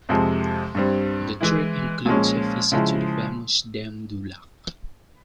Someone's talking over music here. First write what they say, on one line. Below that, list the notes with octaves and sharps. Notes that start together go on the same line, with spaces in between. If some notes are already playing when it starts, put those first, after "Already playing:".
The trip includes a visit to the famous Dame Du Lac.
F2 C3 F3 G#3
G2 G3 C4
E3 G#3 E4
A#2 F3 G#3 C#4
C#3 F3 G#3 E4